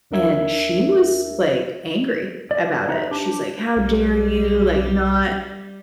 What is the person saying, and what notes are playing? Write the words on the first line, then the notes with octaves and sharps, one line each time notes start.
and she was, like, angry about it, she's like, "How dare you, like, not
D#2 D4 A#4 E5 G#6
D5
D#4 B4 C5 E5
D4 G4
B1 G3